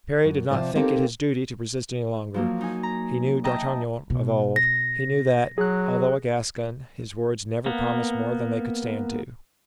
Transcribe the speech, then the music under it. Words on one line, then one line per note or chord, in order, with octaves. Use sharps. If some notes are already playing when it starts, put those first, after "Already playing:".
Parry did not think it his duty to resist any longer; he knew D'Artagnan of old; he knew that, although a Gascon, his words never promised more than they could stand to.
F#2
C3 F3 C5 D5
A#3 C4 D#4 G4 A4 A#4
F3 F#3 A#3
D#4 G#5
A#5
D#5 E5 G5 A5 A#5
B2
A#6
F#3 G#4 F#6
A#3 B3